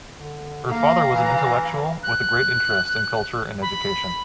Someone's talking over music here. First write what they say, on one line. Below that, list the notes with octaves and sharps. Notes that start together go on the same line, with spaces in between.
Her father was an intellectual, with a great interest in culture and education.
D3
A#3 F5 A#5
E3
F#6
B5